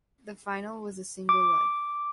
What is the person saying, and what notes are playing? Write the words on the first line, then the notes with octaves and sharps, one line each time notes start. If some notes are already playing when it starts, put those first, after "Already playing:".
The final was a single leg.
D6